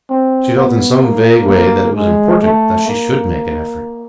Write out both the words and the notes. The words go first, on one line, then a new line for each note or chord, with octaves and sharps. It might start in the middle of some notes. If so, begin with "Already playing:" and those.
She felt in some vague way that it was important that she should make an effort.
C4
B3
A#3
A#3
G#3
A3
A#3